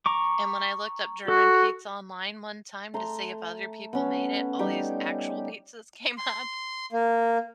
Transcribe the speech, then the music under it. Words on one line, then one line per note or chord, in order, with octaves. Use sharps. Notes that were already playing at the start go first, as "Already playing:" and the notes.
And when I looked up German pizza online one time to see if other people made it, all these actual pizzas came up.
A#5 C#6 D6
F#4 A4
A3 A#5 C6
B3 C#4
G3 D#4 G4
C6
A#3